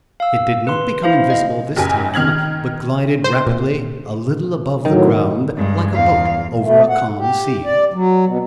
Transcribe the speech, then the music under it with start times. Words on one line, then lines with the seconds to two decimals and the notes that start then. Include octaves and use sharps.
It did not become invisible this time, but glided rapidly a little above the ground, like a boat over a calm sea.
0.20 F5 E6
0.67 B4 C6
1.04 E4 C5 F5
1.30 D#5 F5
1.76 F#1 G4 G#5
2.14 D#3 F6 G#6 F#7
3.24 C5
3.47 A#2
4.85 A2 D#3 F#3
5.57 G2 G#3
5.94 E2 F5
6.63 A3
6.89 F#5
7.18 G4
7.65 D5
7.93 F#3
8.25 B2